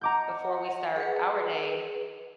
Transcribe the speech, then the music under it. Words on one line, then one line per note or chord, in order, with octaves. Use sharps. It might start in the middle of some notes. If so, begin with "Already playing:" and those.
before we start our day,
D#5 F#5 A#5 D6 G6
G#4 B4